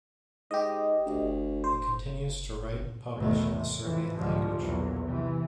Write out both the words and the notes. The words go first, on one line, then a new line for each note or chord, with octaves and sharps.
He continues to write and publish in the Serbian language.
G#2 G4 D#5
D2
C5
G#1 E2 B2 D#3 A3
C3
F2 E3
C2 G#2 B2 D3 F3 G3
B1 E2 A#2
C3 E3